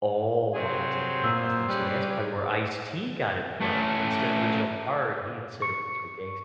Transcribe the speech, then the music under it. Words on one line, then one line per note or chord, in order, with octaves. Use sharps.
Oh, I didn't realize that. So that's probably where Ice-T got it from. Instead of Original Guard, he'd said Original Gangster.
C3 F#3 G#4 C5
A#2 E6
G3 C#4 G#4 B4
A3 C#4
C#6